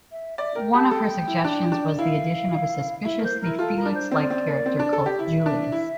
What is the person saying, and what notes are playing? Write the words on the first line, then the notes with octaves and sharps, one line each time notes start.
One of her suggestions was the addition of a suspiciously Felix-like character called Julius.
E5
D5 E5
A#4 G5
G4 A5
A4 G5
E4
D4
D4
E4 F5
E4 E5
A#3 C5
E4 A#4
F4 A4
A#4
D4
C5
C4 D5
C4
A#3
C4
D4
A4
G4
E4 E5
D4
E4